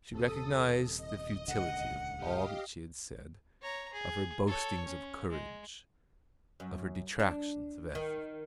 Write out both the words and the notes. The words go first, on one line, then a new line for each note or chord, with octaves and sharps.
She recognised the futility of all that she had said, of her boastings of courage, of her detractions of Ethne.
D#1 C3 A4 D#6
D#5
D#1 C#2 D3 F#5
G4 D#5 F5
C#5 A#5
G#4
A4 C#5
C#4
G#3
F#2
D4
D#3